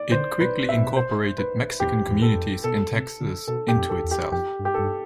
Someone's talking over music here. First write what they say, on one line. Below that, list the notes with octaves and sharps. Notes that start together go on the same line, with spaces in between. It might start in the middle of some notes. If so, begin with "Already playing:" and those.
It quickly incorporated Mexican communities in Texas into itself.
Already playing: D5
D3 C5
B2 B4
B2 E5
C5
B4
E2 G4
E2
A4
F2
B2 A4
C3
D3
B2 A4
G4
F2
A4
E2
G4
F2 G4
G2
G4
G2 A4